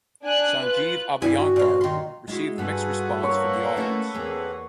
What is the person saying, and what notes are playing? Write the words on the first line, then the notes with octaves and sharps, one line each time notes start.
Sanjeev Abhyankar received mixed response from the audience.
D4 G#5 F#6
F4 B4 F#6
G2 E4 E5 G#5
F#4
A#2 F5
D#3 C6
G#3 E4 F#4
G2 G3 F4 F#4 G#4 A4 B4 F#5
A#3 C#5
A3 C#4 E4
E2 A3 A#3 C4 G#4